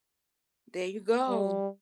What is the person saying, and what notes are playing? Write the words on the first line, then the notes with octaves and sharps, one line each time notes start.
There you go.
G3